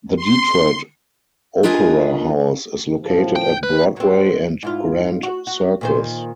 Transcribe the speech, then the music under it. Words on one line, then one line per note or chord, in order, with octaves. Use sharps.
The Detroit Opera House is located at Broadway and Grand Circus.
C6
D4 F4 A#4 B4 D#5 G#5
A2 F3
G5
B4
F#3 C4
G#2 E4 F4
F#4
F#4
A#2 D#3 C5